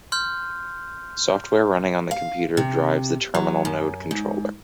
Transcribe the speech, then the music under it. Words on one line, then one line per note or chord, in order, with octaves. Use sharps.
Software running on the computer drives the terminal node controller.
C6 F6 G6
F5
C3
F#3
F#2
G#2